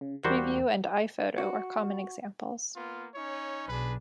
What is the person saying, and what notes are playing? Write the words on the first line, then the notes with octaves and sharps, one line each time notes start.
Preview and iPhoto are common examples.
C#3
E2 G3 A#3 F#4 C5
F#4
A#3 B3 F4
C#4 D#4 C#5
B1 D4 G#4 B4